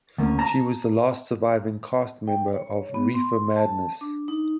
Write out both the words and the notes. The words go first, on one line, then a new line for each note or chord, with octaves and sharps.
She was the last surviving cast member of "Reefer Madness".
D2 C#3 A#3 C#4
A5 A#5
G5
C#5
B3
C6
A5
D4
D#4